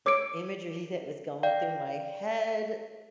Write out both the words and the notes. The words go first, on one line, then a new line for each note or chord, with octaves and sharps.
the imagery that was going through my head,
C#5 D6 E6 G#6 C#7 D7
D5 F5 G5